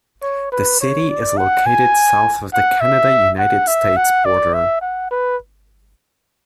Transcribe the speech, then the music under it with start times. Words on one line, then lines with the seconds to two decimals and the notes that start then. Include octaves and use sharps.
The city is located south of the Canada–United States border.
0.22 C#5
0.52 B4
0.81 C#5
1.09 D5
1.38 F#5
1.66 G#5
2.53 F#5
2.81 E5
3.39 F#5
3.68 E5
3.97 F#5
4.25 D5
4.54 E5
4.81 F#5
5.11 B4